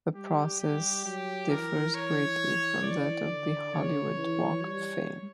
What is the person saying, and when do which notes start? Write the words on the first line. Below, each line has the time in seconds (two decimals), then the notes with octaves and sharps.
The process differs greatly from that of the Hollywood Walk of Fame.
0.15 G3 G4
0.60 G4
1.05 F#3 G4
1.49 E3 A#4
1.94 C#5
2.84 E3 D5
3.28 D3
3.73 C#3 C#5
4.18 E3
4.62 G3 C#5